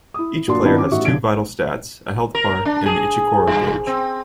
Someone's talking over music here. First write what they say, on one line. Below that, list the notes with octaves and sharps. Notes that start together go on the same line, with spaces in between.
Each player has two vital stats, a health bar and an Ichikoro Gauge.
E4 D#6
A#2 F#3 D4 A5 C6
D#3 B3 C4 D4 E4 F4
C#4 D6
A1 G3 D#4 F#4 E5 C#6
B1 D3 G#6 D7
A#4
D4
G#4
G2
C4